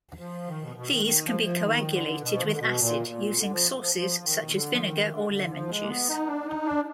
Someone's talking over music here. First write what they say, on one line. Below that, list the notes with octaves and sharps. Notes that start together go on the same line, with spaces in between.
These can be coagulated with acid using sources such as vinegar or lemon juice.
F3
D#3
B2
B2
D#3
D#3
F3
F3
D#3
D3
B2
F3
D#3
D3
B2
A#2
A#2
B2
D3
F3
F3
F3
D#3
B2
D3
F3
D#3
D3
D3
F3
G#3
A#3
B3
D#4
D4
D#4
D4